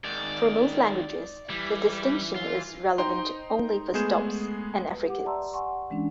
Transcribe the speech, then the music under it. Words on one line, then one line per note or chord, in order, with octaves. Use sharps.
For most languages, the distinction is relevant only for stops and affricates.
G#2 D#3 D5
E3 G3
F4
D#4 C5 G5 A#5 C6
G#3 A3 B3 G#4 G6 E7
B4
G4 F#5 D6
D5 E5 A5 A#5 C6 E6
F#5 G#5 C6 C#6
E3 G#3 C#4 D4